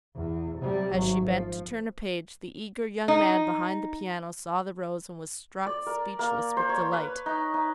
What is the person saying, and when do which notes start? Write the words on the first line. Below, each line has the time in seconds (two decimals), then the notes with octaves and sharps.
As she bent to turn a page, the eager young man behind the piano saw the rose and was struck speechless with delight.
0.15 E2
0.58 C3 G3
0.92 G#1 F#3
1.28 F3
3.08 D#4
5.67 D5
5.87 A#4
6.19 A#3
6.57 C5
6.69 C#5
6.93 B4
7.26 D#4
7.54 D#4